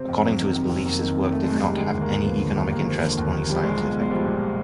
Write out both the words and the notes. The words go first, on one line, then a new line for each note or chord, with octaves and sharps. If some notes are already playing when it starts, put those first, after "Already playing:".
According to his beliefs, his work did not have any economic interest, only scientific.
Already playing: C3 C4
F2
F#3
D#3
C3
F2
F#3 A#3
D#3
C3
F2 A3
G#3
F#3
G#3
D#3 G3
D3 G#3
D#2
A#3
D#2
F3 B3
D3
D#2
D#2 A#3
F3
D3
D#2
D#2
F3 G3
A#2 G#3
B1
B1
G#3
F3 G3
A#2